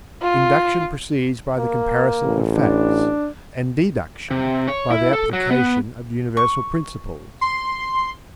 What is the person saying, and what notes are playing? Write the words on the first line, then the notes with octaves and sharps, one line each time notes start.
Induction proceeds by the comparison of facts, and deduction by the application of universal principles.
F4
A#3
A1
D4
C3
C#5
E4
A4
F#3
B3
C#6
C6